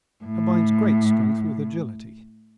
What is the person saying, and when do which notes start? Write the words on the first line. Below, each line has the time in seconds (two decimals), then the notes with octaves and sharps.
Combines great strength with agility.
0.25 A2